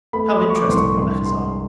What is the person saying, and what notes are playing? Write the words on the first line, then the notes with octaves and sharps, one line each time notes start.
How interesting your letters are!
A3 B5
C6
F3
C#6
D6
C2 C6
C#6
G2 C6
G#3 C6